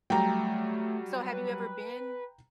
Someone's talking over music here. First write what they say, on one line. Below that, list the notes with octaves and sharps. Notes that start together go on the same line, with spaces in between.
So have you ever been
F#3 G3 A3 G5 A#5
B4